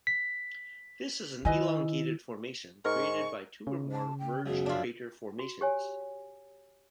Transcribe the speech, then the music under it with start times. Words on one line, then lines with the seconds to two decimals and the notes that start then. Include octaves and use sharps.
This is an elongated formation created by two or more merged crater formations.
0.07 B6
1.45 D#3 E4 B4 D#5 G#5
2.85 G#2 A#4 C#6
3.67 C#3
3.92 A5
4.19 G5
4.46 C#2 F#2 B2 G#4
4.66 A#1 F#2 D4 F4 E5
5.39 F#4
5.61 G4 C#5 G#5